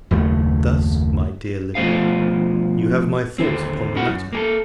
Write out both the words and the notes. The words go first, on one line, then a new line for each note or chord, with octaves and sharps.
Thus, my dear Livia, you have my thoughts upon the matter.
F#1 D#2 A3
B2 F3 A3 C5 D#5 F5
D#2 D3 C4
E4 F#4 A#4 F#5
F#2
A#3 G#4 A4